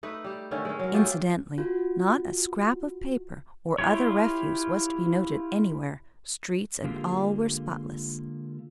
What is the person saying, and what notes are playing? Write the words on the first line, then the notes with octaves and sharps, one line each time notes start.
Incidentally not a scrap of paper or other refuse was to be noted anywhere--streets and all were spotless.
A3 D#4 B4
G3 G4
D3 D#3 A3 C#4
G#3 C#4
F#3 A#4
A3 F4 G4 G#4
F4 F#4
E4 F4 G4 C#5
D3 G#3 A#3 F4 G4 G#4